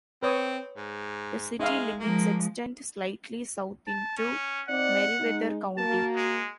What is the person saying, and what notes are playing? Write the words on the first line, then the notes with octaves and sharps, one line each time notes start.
The city limits extend slightly south into Meriwether County.
C4 B4 C#5 D#6
G#2
G#3 D#4 E5 F5
F3 G#3 A#3
A5
C#4
C4 D#4 D5 F#5
G#3 D#4
A#3 F#4 A5
G#3